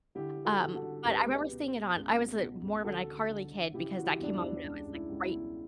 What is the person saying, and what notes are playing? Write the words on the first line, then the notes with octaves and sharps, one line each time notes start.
um, but I remember seeing it on I was, uh, more of an iCarly kid because that came out when I was, like, right
D3 E4 G4
D3
F#4 A4
D3
F#4 A4
D3
C#2 G4 B4
B2
B2
B2
C#2
B2
B2
C#2
D3 F#4 A4
D3
D3
D3
C#3 E4 G4
E3 F#4
E4 G4
E2 D4
E4
E2
C#2 D4
C#2
E4
C#2
E4
B2